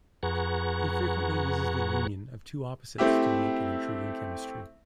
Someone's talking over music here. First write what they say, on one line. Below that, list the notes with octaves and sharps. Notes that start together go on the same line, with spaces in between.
He frequently uses the union of two opposites to make an intriguing chemistry.
F2 G#4 B4 F#5 A#5 C#6
A3 C4 E4 G4 E5